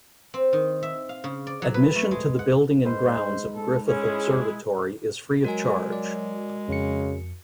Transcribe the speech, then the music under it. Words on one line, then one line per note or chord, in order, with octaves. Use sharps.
Admission to the building and grounds of Griffith Observatory is free of charge.
C4
D#3
E5
F5
C#3
D5
F#3
B4
A3
G#3
F#5
G#2 B4 C5
A4
G#3 C#4 E4 G#4
F#3 G#3 F#4 A#4 G#5
D5
F2 C#3 C#7